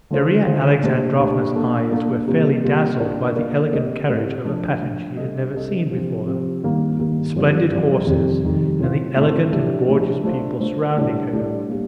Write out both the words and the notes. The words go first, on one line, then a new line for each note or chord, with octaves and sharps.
Darya Alexandrovna's eyes were fairly dazzled by the elegant carriage of a pattern she had never seen before, the splendid horses, and the elegant and gorgeous people surrounding her.
D3 A3 D4 F4 C5
D3 A3 D4 F4 C5
A#2 A3 D4 G4 C5
A#2 A3 D4 G4 C5
A#3 D4 A4
A#3 D4 A4
C3 G3 A#3 F4
C3 G3 A#3 F4
A#3 D4 F4 A#4 D5
A#3 D4 F4 A#4 D5
A3 C4 G4 A#4 D#5
A3 C4 G4 A#4 D#5
F3 A3 D4
F3 A3 D4
C3 G3 D4 A4 D#5
C3 G3 D4 A4 D#5
C3 F3 C4 G4
C3 F3 C4 G4
G2 D#3 G3 A#3
G2 D#3 G3 A#3
G2 F3 C4 G4 D5
G2 F3 C4 G4 D5
F2 C3 D#3 G3
F2 C3 D#3 G3
A2 A3 C4 F4
A2 A3 C4 F4
A2 F3 A3 D4 G4
A2 F3 A3 D4 G4
A3 D4 F4 C5
A3 D4 F4 C5
A2 G3 D4 A4 D5
A2 G3 D4 A4 D5
G3 A#3